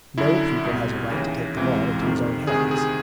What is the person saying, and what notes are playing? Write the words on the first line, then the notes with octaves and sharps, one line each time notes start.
No pupil has a right to take the law into his own hands.
F#2 D3 E4
C2 B2
D#2 C#3 E3
C#2 C3 E3
F2 C3 D#3
D2 C3 D#3 G#4
G#4